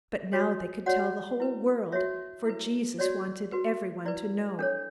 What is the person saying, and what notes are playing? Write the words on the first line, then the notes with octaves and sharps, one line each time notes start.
But now they could tell the whole world, for Jesus wanted everyone to know.
F#4 C#5
F#4 C#5 D5 F#5
E4 B4
F#4 C#5 E5
E4 B4
F#4 C#5 D5
F#4 B4
E4 B4 D5
D4 A4 C#5